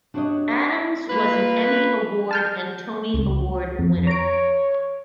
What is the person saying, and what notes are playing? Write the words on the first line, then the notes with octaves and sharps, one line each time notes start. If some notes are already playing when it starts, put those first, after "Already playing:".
Adams was an Emmy Award and Tony Award winner.
D4 F#4 G4 B4 C#5 D#5
A#3 F4 B4
A5 F6 G6
C#2
F2
C#5 A#5 D7